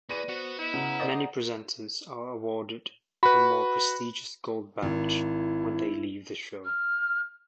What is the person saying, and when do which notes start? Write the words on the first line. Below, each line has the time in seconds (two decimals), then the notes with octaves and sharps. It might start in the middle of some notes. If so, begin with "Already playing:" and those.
Many presenters are awarded the more prestigious "gold badge" when they leave the show.
0.09 E2 B3 B4 D5 A#6 D#7
0.29 B3 F#4 C5
0.59 E4 D#5
0.74 C#3 F#5 A#5
1.00 C5 D5 D#5
3.23 F#4 B4 B5
4.82 G#1 E4
6.65 F6